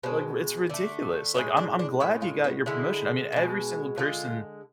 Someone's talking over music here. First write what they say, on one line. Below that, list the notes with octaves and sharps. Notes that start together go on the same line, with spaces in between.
like r It's ridiculous, like, "I'm I'm glad you got your promotion." I mean, every single person
B2 G#3 C4
D3 A3 D4
A2 E3 G#3 E4
D4
D4
A2 G#3 E4
F4
B3
D3 G#3 E4
B2 G#3
D3 G#3 F4